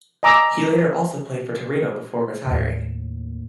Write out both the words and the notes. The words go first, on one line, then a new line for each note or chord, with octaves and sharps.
He later also played for Torino before retiring.
D#5 G#5 A#5 D6 E6
D#2 A2